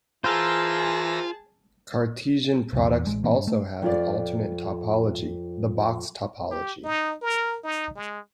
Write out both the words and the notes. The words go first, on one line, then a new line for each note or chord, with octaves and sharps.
Cartesian products also have an alternate topology, the box topology.
E3 F4 G#4 A#4 C5 A5 E6 A#6
C2 F2
E2
A1 G#3
A#2 E3 A#3 C4
G2
A3
F2 F4 D5
G4
D#4
A#4
D#4
G#3